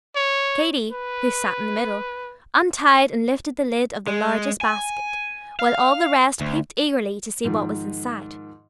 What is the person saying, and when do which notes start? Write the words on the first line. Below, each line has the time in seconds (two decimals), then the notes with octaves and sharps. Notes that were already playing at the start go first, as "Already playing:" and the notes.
Katy, who sat in the middle, untied and lifted the lid of the largest basket, while all the rest peeped eagerly to see what was inside.
0.16 C#5
0.91 B4
4.07 G#3
4.61 G#5
5.59 F5
6.41 D2
7.44 G#2 D#3 F3